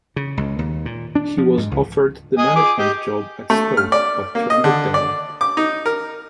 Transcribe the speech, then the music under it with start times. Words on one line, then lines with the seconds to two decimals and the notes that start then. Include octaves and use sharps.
He was offered the management job at Stoke but turned it down.
0.16 C#3
0.37 C#2
0.59 D#2
0.86 A#2
1.15 D4
1.38 F3
1.58 G#2
1.71 C#2
2.38 D#5 G#5 D#6
2.56 G#4 D6
2.78 G4 D#5
3.50 A3
3.77 F6
3.92 D5
4.35 A#3
4.50 D#5
4.64 D3
4.94 D5
5.41 D6
5.57 D#4
5.86 A#4